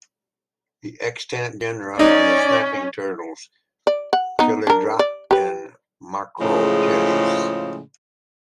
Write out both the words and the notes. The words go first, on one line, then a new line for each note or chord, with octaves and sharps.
The extant genera are the snapping turtles "Chelydra" and "Macrochelys".
C#4 D#4 D5
D5
F#5
B3 D#4
D4 A#4
D5
G4 B4
A2 C#3 F3 G#3